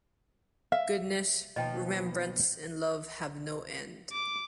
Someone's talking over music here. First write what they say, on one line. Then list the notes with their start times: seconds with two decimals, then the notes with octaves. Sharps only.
Goodness, remembrance, and love have no end.
0.72 E5 F5
1.56 D#2 B2 F3 D#5 G5 A5
4.12 D6